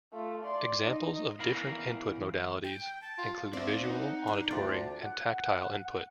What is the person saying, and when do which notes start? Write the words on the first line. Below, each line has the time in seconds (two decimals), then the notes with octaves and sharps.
Examples of different input modalities include visual, auditory and tactile input.
0.13 A3 F4
0.44 D5 C6
0.83 D#4 D#5
1.39 E2 E3 A#4 F5 A#5 B5
2.64 G5
3.01 A5
3.18 F4
3.53 C4 D4 C5 D5 E5 F5
3.83 D#4 F#5
4.27 D4
4.51 D2 D4 F4 D5
5.01 F#5